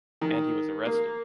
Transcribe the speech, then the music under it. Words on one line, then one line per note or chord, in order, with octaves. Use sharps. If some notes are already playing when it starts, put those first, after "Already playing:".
And he was arrested.
D#3
A#3